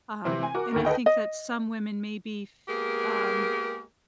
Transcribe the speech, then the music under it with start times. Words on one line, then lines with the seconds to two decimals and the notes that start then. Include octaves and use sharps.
Um, and I think that some women maybe f um,
0.25 C3 E3 C4 E4
0.43 G#5
0.54 F#4 A#4 D6
0.72 D2 D#3 A#4
0.85 A4 B4 D#5 G5
1.06 D#5
2.68 G#3 A#3 B3 G4 G#4 A#4